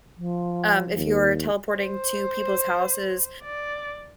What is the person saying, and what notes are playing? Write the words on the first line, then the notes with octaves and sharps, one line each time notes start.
um, if you're teleporting to people's houses
F3
D#2
C5
D5